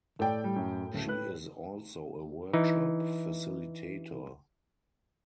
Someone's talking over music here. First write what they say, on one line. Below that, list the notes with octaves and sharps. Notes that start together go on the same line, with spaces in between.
She is also a workshop facilitator.
A2 A4 D5 G5
G3
F#2
D1 C#3 A3
B4 F#6
E3 D#4